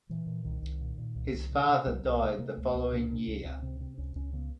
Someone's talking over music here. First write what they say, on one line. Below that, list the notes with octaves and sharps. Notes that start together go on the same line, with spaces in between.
His father died the following year.
A#2 E3
A#2
C2 D#3
C2
A#2
A#2
C2
C2
C3
C3
C2 F#3
C2 B3
C3 A#3
C3 A#3
C#2 A3
C#2 A#3
C3 D4
C3 D4
C#2 C#4
C#2 C4
C3 C4
C3 C4
C#2 C#4
C#2 C#4
C#3 B3